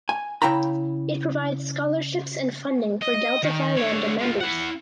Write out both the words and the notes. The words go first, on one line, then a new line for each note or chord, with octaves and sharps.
It provides scholarships and funding for Delta Phi Lambda members.
G#5
C#3 E4 G5 A#5 B5
D#5
D#3
D3 C#5
G#3 F4
E4 F#5